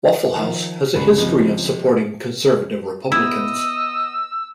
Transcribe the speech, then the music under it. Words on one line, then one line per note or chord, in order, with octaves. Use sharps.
Waffle House has a history of supporting conservative Republicans.
D#3 F3
G1 C#2 B4
C3 F3 G#3
B3 E4 D#5 E6